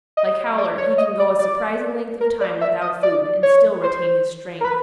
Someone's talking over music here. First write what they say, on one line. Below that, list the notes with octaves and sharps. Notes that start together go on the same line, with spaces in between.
Like Howler he can go a surprising length of time without food and still retain his strength.
D#5
D5
C#5
D#5
D5
D5
A#4
D5
E5
D#5
D5
C#5
C5
A#4
B4